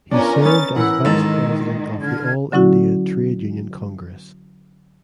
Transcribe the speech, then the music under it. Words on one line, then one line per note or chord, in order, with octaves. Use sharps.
He served as vice president of the All India Trade Union Congress.
B3 C#4 D4 F4 A#4 D5 A#5
C#4 D#4 A#4 B4 A6
E3 E4 F#5
G#2 D#3 A4
D3 D4 F6 G#6
D3 F#3 C#4 E4 F#4